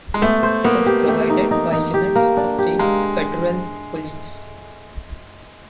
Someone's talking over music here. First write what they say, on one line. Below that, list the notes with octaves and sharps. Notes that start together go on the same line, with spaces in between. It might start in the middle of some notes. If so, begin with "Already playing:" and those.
It is provided by units of the Federal Police.
G#3
A3 B3
C5
A#3 B3
G4
A3 G4
D#4
D#4
D#4
G4
A#3
D4
G4
G#3 A#3